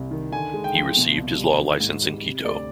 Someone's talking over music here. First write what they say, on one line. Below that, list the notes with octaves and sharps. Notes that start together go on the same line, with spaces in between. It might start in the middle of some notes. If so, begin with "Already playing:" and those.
He received his law license in Quito.
Already playing: C2 C3
D#3
D3 G#5
G#3
G5
F3
B2
C2
G3
D#3
G#2
G3
C3
D2 D5